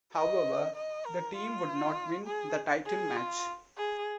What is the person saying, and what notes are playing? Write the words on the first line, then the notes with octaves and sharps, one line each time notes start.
However the team would not win the title match.
D#5
D#5
A#4
F4
G#4
G#4
F4
G#4